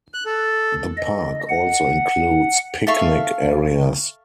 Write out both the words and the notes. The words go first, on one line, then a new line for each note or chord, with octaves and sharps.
The park also includes picnic areas.
F#6
A4
D#5
F#5
A4 E5 F5 C#6